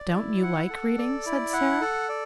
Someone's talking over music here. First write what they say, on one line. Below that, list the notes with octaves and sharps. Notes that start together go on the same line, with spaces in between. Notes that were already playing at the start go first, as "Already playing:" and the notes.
"Don't you like reading?" said Sara.
Already playing: D5
E4
F#5
A4
D5
E4
F#5
A4
D5